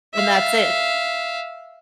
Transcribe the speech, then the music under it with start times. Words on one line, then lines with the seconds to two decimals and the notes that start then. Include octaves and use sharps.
and that's it."
0.14 E5 F5